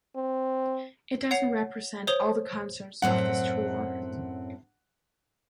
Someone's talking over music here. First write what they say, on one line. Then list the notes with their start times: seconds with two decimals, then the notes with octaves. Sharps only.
It doesn't represent all the concerts of this tour.
0.16 C4
1.31 C#5 F#5 C7 F7
2.07 C5 C#5 D#6 F7 G7
3.02 F#2 A2 C4 F#5